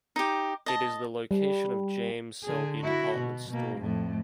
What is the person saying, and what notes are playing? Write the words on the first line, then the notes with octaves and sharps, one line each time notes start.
It is the location of James Selby department store.
D#4 G4
D#5 A5
G3
D3 G#4
E4 F#4
B2
B2 A#3
F2 A2